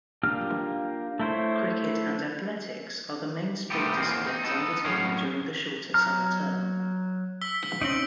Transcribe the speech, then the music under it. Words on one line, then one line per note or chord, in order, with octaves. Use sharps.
Cricket and athletics are the main sports disciplines undertaken during the shorter Summer term.
A#3 D4 F4 G4 F6
A3 E4 C5 C#5
C3 G3 A3 B3 G4
E2 E3 G#3 A#3 C4
D#4
B3 D#4 A4
A2 F#3 C#4 G#4 F5
F#3 A#5 F6
E6 B6 G7
C4 C#4 D#4 D7 F#7 G7